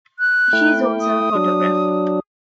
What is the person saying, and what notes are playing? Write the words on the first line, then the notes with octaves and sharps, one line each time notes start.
She is also a photographer.
F#6
A3 E4 G5
D#6
F#3 D4